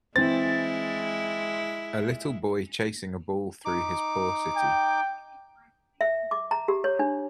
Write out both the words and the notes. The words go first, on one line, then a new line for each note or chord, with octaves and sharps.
A little boy chasing a ball through his poor city.
E3 G#3 C4 E4 A6
D#4 D6
G5
E5
D6
A#5
G4
C#5
D4